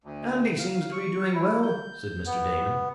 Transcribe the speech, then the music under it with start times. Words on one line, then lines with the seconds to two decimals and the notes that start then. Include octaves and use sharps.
"Andy seems to be doing well," said Mr. Damon.
0.04 D2
0.59 F5
0.92 C#6
1.34 E4
1.63 G6
2.26 B3